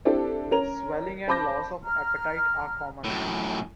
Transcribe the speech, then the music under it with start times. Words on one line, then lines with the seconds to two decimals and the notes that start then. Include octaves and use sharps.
Swelling and loss of appetite are common.
0.05 C4 D4 E4 G4 A4
0.51 C#4 A#4 F7
1.28 C5 A5 B5 D6 G6 A#6
1.84 A#5 F6
3.05 F#2 A2